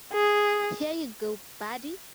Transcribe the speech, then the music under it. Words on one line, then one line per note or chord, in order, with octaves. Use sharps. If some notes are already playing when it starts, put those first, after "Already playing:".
Here you go, buddy!
G#4